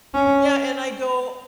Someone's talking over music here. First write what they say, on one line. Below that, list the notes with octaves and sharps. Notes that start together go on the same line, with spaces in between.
Yeah, and I go
C#4